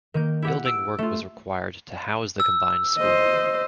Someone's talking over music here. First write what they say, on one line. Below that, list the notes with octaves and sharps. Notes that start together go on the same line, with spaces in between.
Building work was required to house the combined school.
D#3 A#3 G6
E4 G4 F#5
E6 D7
A3 F4
E6
C5 D#5